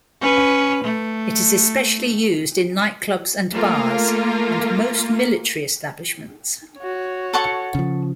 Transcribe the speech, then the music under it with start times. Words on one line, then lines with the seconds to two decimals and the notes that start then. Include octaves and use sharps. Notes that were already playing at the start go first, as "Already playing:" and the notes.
It is especially used in nightclubs and bars, and most military establishments.
0.21 C#4 B4
0.84 A3
3.52 A3 A#3 F4 A#4
6.78 F#4 C#5
7.33 A4 F#5 C#6
7.75 C#3 F3